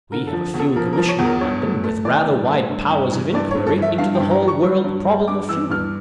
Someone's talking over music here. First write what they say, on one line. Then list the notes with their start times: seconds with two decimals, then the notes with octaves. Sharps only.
We have a Fuel Commission in London with rather wide powers of enquiry into the whole world problem of fuel.
0.12 D3 A#4
0.27 A4
0.33 F3
0.54 E2
0.59 A4
0.76 F3 A#4
0.93 A#4
0.97 F3
1.08 C#5
1.19 E2
1.25 A#4
1.41 G2 C#5
1.62 A3
1.84 A3
2.05 E3 D5
2.26 G2
2.49 A3
2.69 G2
2.91 G2
3.13 E3
3.34 G2 D5
3.51 C#5
3.55 G2
3.67 A4
3.78 E3 E5
3.98 G2 F5
4.15 G5
4.20 G2
4.30 A#5
4.42 E3
4.48 C#6
4.63 G3
4.84 G2
5.06 G3
5.28 G2 D6
5.49 E3 E6
5.70 G2 F6